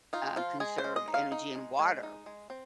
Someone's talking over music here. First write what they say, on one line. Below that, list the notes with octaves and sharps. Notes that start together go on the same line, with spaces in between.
um, conserve energy and water,
D#4 F4
F3 F4
G#3 G#4
C5
G#3
D#5
D#4
F5
D#4
G#3
G#3
D#4
G#3
C4